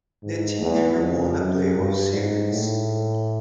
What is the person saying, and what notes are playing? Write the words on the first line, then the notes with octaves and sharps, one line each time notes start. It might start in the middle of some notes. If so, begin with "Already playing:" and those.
The team never won a playoff series.
G#2
E2
F2
F#2
G2
G#2
A2